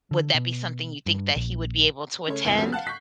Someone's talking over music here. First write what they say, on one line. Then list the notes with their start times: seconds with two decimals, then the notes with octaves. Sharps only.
would that be something you think that he would be able to attend?
0.11 D3
0.34 B2
1.06 G2
1.36 A#1
2.28 C#3 A3 C#5
2.44 G1 D#2 C3 E4 F7
2.58 C3 F3 G3 A3 C#4 F#4
2.72 F5 F#5 A5 F#6
2.86 C#6 G6 B6 C7